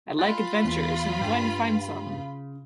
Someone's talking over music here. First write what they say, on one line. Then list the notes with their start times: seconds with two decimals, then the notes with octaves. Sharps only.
I like adventures, and I'm going to find some.
0.19 F4 G#5 B5 F#6 A6
0.64 E2
1.21 G2 G5 G#5
2.06 C#3